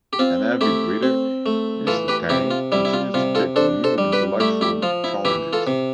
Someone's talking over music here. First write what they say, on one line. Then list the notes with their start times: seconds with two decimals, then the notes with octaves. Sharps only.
An avid reader, Mr. Tang continues to take on new intellectual challenges.
0.13 G4
0.19 C4 F4
0.61 A3 E4 G4
1.03 C4
1.46 A3
1.87 E3 F4 A4
2.08 G4 B4
2.29 C3 E4 G4
2.51 F4
2.72 G3 E4
2.85 E4
2.93 F4
3.14 C3 F4
3.35 F4 A4
3.56 D4 A4 C5
3.84 A4 C5
3.98 G3
4.12 G4 B4
4.40 A3 E4 G4
4.61 E4 G4
4.82 F3 F4
5.04 E4
5.25 E3 E4 G4
5.53 F4 A4
5.67 C3